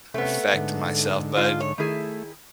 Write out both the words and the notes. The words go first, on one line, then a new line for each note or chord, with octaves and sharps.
affect myself, but
C3 A3 B3 C#4
G#2 D3
F4
C#5
D#3 A3 E4 G#4